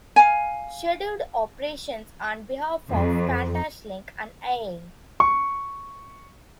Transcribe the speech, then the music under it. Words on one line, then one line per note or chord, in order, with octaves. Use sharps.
Scheduled operations on behalf of QantasLink and AaE.
F5 G#5
F2
C#6